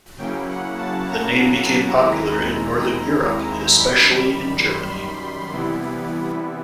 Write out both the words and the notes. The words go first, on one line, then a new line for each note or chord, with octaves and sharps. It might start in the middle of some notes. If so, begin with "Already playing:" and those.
The name became popular in Northern Europe, especially in Germany.
C#3 F#3 A#3 C#4 E4 G5
F#5
A5
A#5
A#5
D#2 D#3 G#3 C4 E4 A#5
F#2 D#3 G3 B5
B5
C6
C3 E3 G3 B3 E4